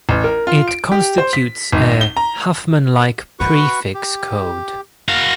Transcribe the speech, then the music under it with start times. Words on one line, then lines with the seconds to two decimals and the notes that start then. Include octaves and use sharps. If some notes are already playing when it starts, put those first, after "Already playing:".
It constitutes a Huffman-like prefix code.
0.09 A1
0.24 A#4
0.47 F4
0.68 D7
0.92 G4
1.18 C5
1.33 B6
1.73 G#1
2.01 G7
2.17 A#5
3.40 F#4 B4 C#6
3.95 G4
5.09 F#4 A#4 F5